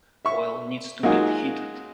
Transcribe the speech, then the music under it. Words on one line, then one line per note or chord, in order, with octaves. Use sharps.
Oil needs to get heated.
E5 C#6
F#3 G#3 A#3 D#4 F4 G#4